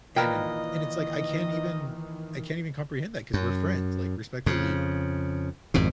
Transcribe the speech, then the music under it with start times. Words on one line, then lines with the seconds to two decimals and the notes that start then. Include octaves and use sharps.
and and and it's like, I can't even I can't even comprehend that 'cause we're friends, like, respectfully,
0.16 A#2 D#3 E3 A#4 B4 D#5 G5
3.34 F#2
4.46 F2 C#3
5.74 G#1 F2 G#2 B2